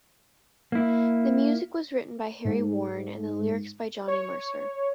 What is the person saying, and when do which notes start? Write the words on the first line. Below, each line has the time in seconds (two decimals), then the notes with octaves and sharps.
The music was written by Harry Warren, and the lyrics by Johnny Mercer.
0.72 A#3 E4
2.45 G#2
4.08 C#5